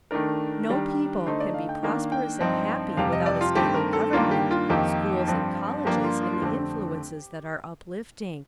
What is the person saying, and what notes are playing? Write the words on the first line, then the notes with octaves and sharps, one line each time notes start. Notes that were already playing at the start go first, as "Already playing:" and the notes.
No people can be prosperous and happy without a stable government, schools and colleges and the influences that are uplifting.
D#3 A3 D4 A#4
D#3 G3 D4
D3 A3 D#4 C5
D5
F5
G5
D#3 A#3 D4 F5
G5
G2 F3 C4 D#4
F2 C3 G3 F5
D#5
D5
F4
G2 D#3 A3 C4 G4
A#4
A4
G2 D#3 A#3 D4 F4
G4
F4
F2 D#3 A#3 D#4 G4
G2 F3 C4
G2 F3 A#3 D4 G4
F4
F4
F4
F2 D3 A3 C4 G4